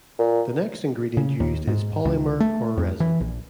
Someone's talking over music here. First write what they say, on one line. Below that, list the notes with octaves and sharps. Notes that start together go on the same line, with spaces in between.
The next ingredient used is polymer or resin.
A#2
C#3
D#2
G#2
C#2
A3
F2
E3
A#1